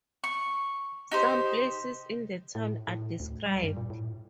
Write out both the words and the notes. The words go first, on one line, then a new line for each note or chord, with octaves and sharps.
Some places in the town are described.
C#6
D#4 G4 C5
A2
A2
D2
G3
G2
A#2
A2